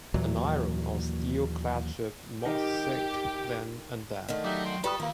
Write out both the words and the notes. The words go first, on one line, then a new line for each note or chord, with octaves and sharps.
An iron or steel-clad ship must sink then and there.
D#2 A#2 E3 F#3
D#4 G4 A#4 D#5
D3 D#3 A3
F#3 D#4 G4 E5 D6
G5 C6
G3 F4 G4 A4 B4 A5 D#6
D#2 A#3 E4 F4 F5